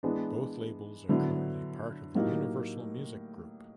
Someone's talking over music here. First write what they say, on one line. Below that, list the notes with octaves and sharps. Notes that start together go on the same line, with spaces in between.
Both labels are currently part of the Universal Music Group.
E3 G#3 B3 D4
D3 F#3 B3 E4
A2 F#3 A#3 D#4 G4